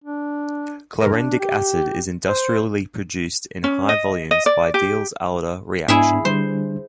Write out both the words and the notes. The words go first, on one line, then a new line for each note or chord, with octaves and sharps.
Chlorendic acid is industrially produced in high volumes by Diels-Alder reaction.
D4
A#4
D4
G4
C5
C#4
D#5
D#5
D5
G4
G#2 B3 D4 E4 G#4 E5
D3 G3 D4 C5